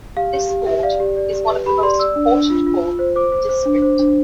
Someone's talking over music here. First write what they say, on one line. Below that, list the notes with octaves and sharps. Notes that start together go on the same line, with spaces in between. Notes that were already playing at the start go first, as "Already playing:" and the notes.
This fort is one of the important forts in the district.
G4 F5
G4
G4
G4 E5
D5 F5
G4
D5
G4
B4
G4 B5
D5 C6
D5 E6
D4
D4
F4
F4
F4
C5
C5 D6
C5
C5
D4
C5
D4